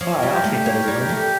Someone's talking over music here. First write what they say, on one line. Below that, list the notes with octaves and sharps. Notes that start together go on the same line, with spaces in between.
Alright. I'll take that as a win.
F3 C#5
A#4
G3
G4
A3
G4
A#3 C#5
A#4
G3
G4
A3
G4